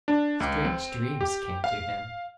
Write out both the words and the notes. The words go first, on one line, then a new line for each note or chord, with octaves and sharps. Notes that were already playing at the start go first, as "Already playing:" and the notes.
Strange dreams came to him.
D4
C#2
C4
G4
F5